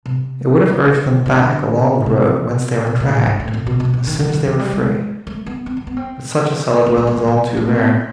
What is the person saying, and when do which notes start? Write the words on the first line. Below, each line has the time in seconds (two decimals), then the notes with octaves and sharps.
It would have urged them back along the road Whence they were dragged, as soon as they were free; But such a solid will is all too rare.
0.06 C3
0.86 D3
1.06 D#3
1.26 D3
2.06 C3
2.87 B2
3.00 A#2
3.13 A2
3.26 G#2
3.40 A2
3.54 A#2
3.67 B2
3.80 B2
3.94 B2
4.07 D#3
4.20 E3
4.34 F3
4.47 E3
4.59 G3
4.73 G#3
5.27 A3
5.46 B3
5.66 C4
5.77 B3
5.87 B3
5.97 C4
6.86 B3
6.98 A#3
7.07 A3
7.17 G#3
7.28 A3
7.57 A3
7.67 A#3
7.78 B3
7.87 C4